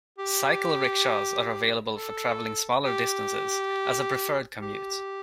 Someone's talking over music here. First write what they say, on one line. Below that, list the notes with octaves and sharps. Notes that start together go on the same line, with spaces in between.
Cycle-rickshaws are available for travelling smaller distances, as a preferred commute.
G4
A4
G4
G4